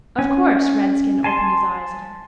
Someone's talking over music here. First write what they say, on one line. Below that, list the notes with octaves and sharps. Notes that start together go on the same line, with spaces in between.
'Of course!' Redskin opened his eyes at her.
C#4 G#5
G#5 A5 C6